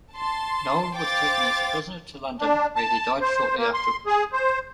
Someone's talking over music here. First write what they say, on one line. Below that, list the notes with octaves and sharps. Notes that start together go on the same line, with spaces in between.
Noel was taken as a prisoner to London, where he died shortly afterwards.
A5 C6
C5 F5 G5 D6 A6
D4
A5
C5
A#3
C6
G#4
C5